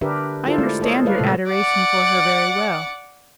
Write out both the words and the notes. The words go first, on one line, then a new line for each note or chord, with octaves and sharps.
I understand your adoration for her very well.
D3 D4 G4 A#4 B4 E5
E4 F4 G4 A4 A#4 C5
G#3 A3 E4 D5
A4 A#4 C5 C#5 D#5
G3 A#4 B4 D5 F5
A#2 C#3 G#3 A3 A4 C5
D5 F#5